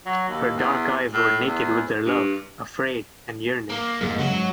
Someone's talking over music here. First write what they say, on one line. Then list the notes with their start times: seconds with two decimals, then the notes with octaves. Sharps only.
Her dark eyes were naked with their love, afraid, and yearning.
0.06 F#3
0.28 D#2
0.57 E2
1.13 A2
1.44 E2
2.05 G2
3.70 A#3
4.01 F2 G#2 G#3 A#3
4.19 C#3 F#3 G#3
4.31 G#2